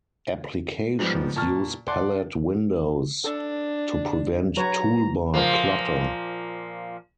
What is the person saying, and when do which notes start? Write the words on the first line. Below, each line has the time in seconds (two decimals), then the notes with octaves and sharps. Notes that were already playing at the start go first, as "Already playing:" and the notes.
Applications use palette windows to prevent toolbar clutter.
0.99 G#2 F3 G3 B3
1.36 A#2 A5 C#6 F6
1.88 D5 F#5 A5 C6 D6
3.24 D4 A4
4.57 F#3 B4 C#5 A#5
5.34 A#2 F3 A#3